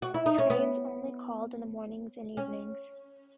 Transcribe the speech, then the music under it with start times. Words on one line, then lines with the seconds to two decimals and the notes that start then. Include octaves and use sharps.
Trains only called in the mornings and evenings.
0.02 F#4
0.14 E4
0.26 D#4
0.38 C#4
0.50 B3
2.37 C#4